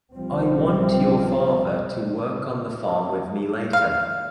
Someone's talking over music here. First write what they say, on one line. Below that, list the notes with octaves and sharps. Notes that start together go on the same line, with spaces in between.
I want your father to work on the farm with me later.
B1 F3 G3 C4
F5